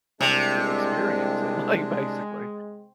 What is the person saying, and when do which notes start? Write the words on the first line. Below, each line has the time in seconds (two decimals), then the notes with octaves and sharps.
yeah, experience it, like, basically
0.21 C2 C3 G#3 D4